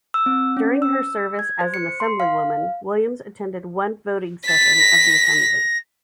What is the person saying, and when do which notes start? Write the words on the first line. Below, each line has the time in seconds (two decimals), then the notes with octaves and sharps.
During her service as an assemblywoman, Williams attended one voting session of the Assembly.
0.14 E6
0.26 C4
0.57 C#4
0.82 E6
1.39 G#6
1.61 C5
1.74 C#7
2.00 C6
2.20 F5
4.47 A6 B6
4.79 A#6